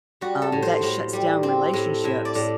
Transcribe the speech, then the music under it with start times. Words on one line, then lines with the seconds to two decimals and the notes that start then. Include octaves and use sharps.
Um, that shuts down relationships
0.21 G3 F#4
0.42 A4
0.52 A2
0.62 C5
0.83 A2
1.13 G3
1.43 C4
1.73 A2
2.04 A2 E5
2.25 D5
2.35 A2